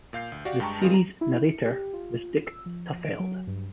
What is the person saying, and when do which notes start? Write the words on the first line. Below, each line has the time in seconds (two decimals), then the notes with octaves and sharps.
The series' narrator was Dick Tufeld.
0.13 A#2 F5 G6 C7
0.32 D2
0.45 F#4 G4 D5 F5
0.60 G2 G#3 G5 A5 A#5 C#6
0.81 D#3 G3 C4 F4 G#4
0.94 A#5
1.21 E4
1.44 C#7
1.65 G4
1.93 F4
2.46 E6
2.66 F3
3.05 D7
3.20 F#3
3.47 G2